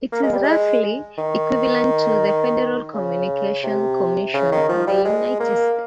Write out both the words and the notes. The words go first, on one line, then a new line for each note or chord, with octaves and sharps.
It is roughly equivalent to the Federal Communications Commission in the United States.
A#3
G#3
G3
G#3
D#3
C#3
C3
C#3
D#3
F3
G3
G#3
A#3